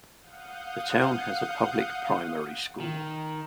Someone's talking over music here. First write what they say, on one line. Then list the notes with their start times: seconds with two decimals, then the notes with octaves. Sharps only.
The town has a public primary school.
0.20 F5 F#5 D#6 G6
2.80 D#3